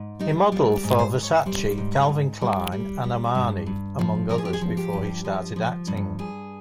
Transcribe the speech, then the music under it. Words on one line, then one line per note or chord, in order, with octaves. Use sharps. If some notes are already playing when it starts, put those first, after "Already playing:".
He modeled for Versace, Calvin Klein, and Armani, among others before he started acting.
Already playing: G#2
G3 D#4
G3 F4
G4
G#2
C5
G#2
C#5
G3 C5
G#2
G#2
G3
G3
G3
G2
G2
F3
F3 A#4
G#4
G4
G#4
F3
G4
G2
F3
F3
G2
G2 G#4